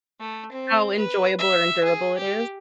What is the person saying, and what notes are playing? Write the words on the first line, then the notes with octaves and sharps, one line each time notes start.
how enjoyable or endurable it is?
A3
C4
B4
E5
G#4
G4